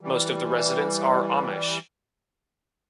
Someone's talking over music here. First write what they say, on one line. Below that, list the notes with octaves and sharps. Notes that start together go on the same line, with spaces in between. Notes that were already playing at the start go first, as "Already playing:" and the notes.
Most of the residents are Amish.
E3 G3